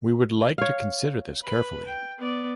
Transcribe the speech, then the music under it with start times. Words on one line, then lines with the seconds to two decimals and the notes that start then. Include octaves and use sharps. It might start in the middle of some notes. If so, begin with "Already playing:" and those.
We would like to consider this carefully.
0.58 C#5 F5
1.43 B4 B5
1.86 G5
2.19 B3 D5